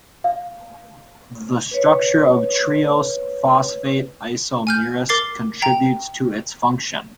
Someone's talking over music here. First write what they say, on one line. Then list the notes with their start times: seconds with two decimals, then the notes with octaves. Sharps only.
The structure of triose phosphate isomerase contributes to its function.
0.24 F5
1.71 B4 C#5
4.67 G#5 F6 G6
5.09 A#4 D6 A6 C7
5.62 G5 A#5